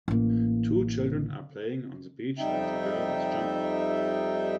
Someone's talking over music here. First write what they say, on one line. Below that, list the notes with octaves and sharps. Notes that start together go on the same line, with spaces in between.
Two children are playing on the beach and the girl is jumping.
A1 A#3
F2 G3 D#4 E5 G5